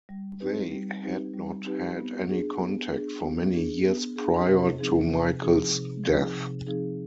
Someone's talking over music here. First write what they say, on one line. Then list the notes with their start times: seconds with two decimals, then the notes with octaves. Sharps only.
They had not had any contact for many years prior to Michael's death.
0.09 G3
0.40 C4 D#4 G4 B4
0.72 G3
1.03 C4 D#4 G4 B4
1.34 G3
1.65 C4 D#4 G4 B4
1.97 B3
2.28 D4 G#4
2.59 B3
2.91 D4 G#4
3.22 B3
3.54 D4 G#4
3.84 B3
4.16 D4 G#4
4.47 C3
4.78 F3 C4 D#4 G#4
5.10 C3
5.41 F3 C4 D#4 G#4
5.72 C3
6.04 F3 C4 D#4 G#4
6.35 C3
6.67 F3 C4 D#4 G#4